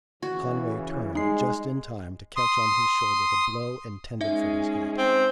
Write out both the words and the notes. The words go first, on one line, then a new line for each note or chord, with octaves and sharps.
Conway turned just in time to catch on his shoulder the blow intended for his head.
C#3 E3 F#4
G3 G#3 D#4 C7
C6 D#6
G#3 C#4 D#4 G#4 E5
C4